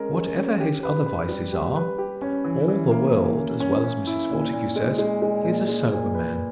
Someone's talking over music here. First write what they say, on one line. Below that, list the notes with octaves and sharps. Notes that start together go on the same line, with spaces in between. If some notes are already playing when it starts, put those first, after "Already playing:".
Whatever his other vices are, all the world, as well as Mrs. Fortescue, says, 'he is a sober man.
Already playing: G#3 C#4 A#4
G#3
C#4
G4
B4
B4
G3
G4
B4
G4
C#4
E3
E3
A#3
A#3
C#4
C#4
C#4
E4
A#2
A#2
G#3
G#3
G#3
A#2
G#3
A#2
B4